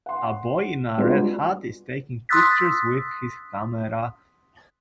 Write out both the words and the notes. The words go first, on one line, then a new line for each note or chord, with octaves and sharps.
A boy in a red hat is taking pictures with his camera.
F#5 C6
G3 G#3 B3 D4 F4 F#4
C6 D#6 E6 F#6 A6 B6